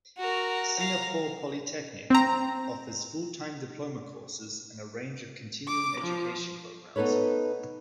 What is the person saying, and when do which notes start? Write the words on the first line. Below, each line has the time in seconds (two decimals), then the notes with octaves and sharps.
Singapore Polytechnic offers full-time diploma courses and a range of continuing education programmes.
0.18 F#4 A#4
0.79 F5 A#5
2.10 C4 A#5
5.67 D6
6.01 F3
6.96 B3 D#4 A4 B4 C#5